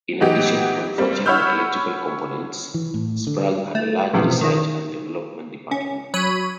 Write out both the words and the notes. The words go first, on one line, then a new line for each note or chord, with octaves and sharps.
In addition to manufacturing electrical components, Sprague had a large research and development department.
E3 F#3 B3 D#4 G4
G3 A#3 C4
C#5 F#5 B5 E6 F6 G6
E3
A2
D3
A3
B1 F#2 A2 C3 E3 F3
D#3
C#4
F#3 C#5 B5 D#7